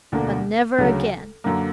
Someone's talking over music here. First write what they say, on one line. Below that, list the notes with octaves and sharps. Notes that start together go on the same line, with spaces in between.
But, never again!
E1 D2 D3 A#3 D4
D2 C#3 F#3
F#2 D3 A#3